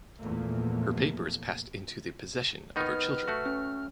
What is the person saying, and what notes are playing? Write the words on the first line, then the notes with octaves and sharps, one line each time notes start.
Her papers passed into the possession of her children.
E2 A#2 F3 A3 A#3
D#3 B3 D#4 B4 F6
A3 F#4
C#4